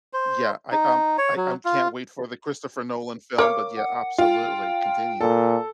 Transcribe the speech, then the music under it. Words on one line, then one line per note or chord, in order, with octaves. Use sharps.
yeah, I um, I I'm can't wait for the Christopher Nolan film, but, yeah, absolutely, continue.
C5
D#4
C#5
F#3
F4
A#4 C#5 F5 D6
F#5
F4 G5
A#2 A4